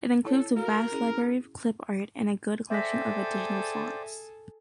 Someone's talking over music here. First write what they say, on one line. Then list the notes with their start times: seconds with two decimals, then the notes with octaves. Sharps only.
It includes a vast library of clip-art, and a good collection of additional fonts.
0.25 E4 A4 C#5
0.56 F#4 A4 A#4 F5
0.92 C#4 E4 G#4
2.70 G#4 A4 C5 D5 E5 G5 A#6 B6